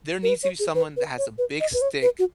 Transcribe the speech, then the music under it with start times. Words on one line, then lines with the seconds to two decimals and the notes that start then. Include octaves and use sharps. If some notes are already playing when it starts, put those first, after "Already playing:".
There needs to be someone that has a big stick
0.23 A#4
0.29 B4
0.43 C#5
0.60 G#4
0.75 B4
0.97 B4
1.18 C#5
1.38 B4
1.60 D#5
1.74 B4
1.82 C#5
2.02 B4
2.19 F#4